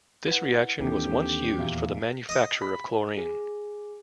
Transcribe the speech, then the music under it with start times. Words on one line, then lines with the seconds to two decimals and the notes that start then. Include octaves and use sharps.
This reaction was once used for the manufacture of chlorine.
0.28 E4 B4 F#5
0.80 D#2 E3 C4 D4 G4 A4
1.58 E2 A#2 B3 E5 F5
2.29 D#5 D#6
2.62 B5
3.18 G#4